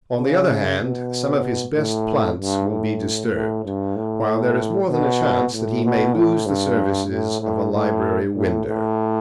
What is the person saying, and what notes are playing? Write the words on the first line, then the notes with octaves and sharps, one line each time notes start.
On the other hand, some of his best plants will be disturbed, while there is more than a chance that he may lose the services of a library window.
C#3
B2
A2
G2
A2
A2
G2
A2
B2
A2
B2
A2
G2
A2
A2
A2
A2
A2